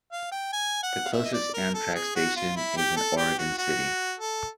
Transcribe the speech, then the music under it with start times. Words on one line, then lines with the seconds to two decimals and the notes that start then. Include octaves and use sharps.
The closest Amtrak station is in Oregon City.
0.12 F5
0.32 G5
0.53 G#5
0.83 F#5
1.05 F5
1.13 E5
1.25 D#5
1.33 D5
1.54 A#4
1.74 A4
1.95 G#4
2.16 F#4
2.36 F4
2.56 E4
2.77 G4
2.97 A4
3.17 G4
3.38 F#4
3.58 F#4
4.20 A4